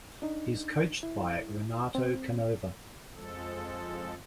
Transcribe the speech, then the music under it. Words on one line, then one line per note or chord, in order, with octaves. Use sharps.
He is coached by Renato Canova.
D4 D#4
E4
C4
F2 F3 G#3 A4